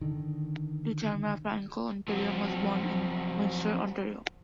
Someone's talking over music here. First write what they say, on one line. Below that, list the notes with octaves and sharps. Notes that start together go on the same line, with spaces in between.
Ducharme, a Franco-Ontarian, was born in Windsor, Ontario.
D3 D#3
F3 F#3 C4 F#4